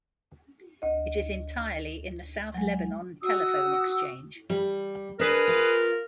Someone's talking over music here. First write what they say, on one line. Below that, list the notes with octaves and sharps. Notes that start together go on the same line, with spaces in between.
It is entirely in the South Lebanon telephone exchange.
D2 D#5
F#3 G#3
F#4 D#6 E6
G3
D4 G#4 A#4 B4
F4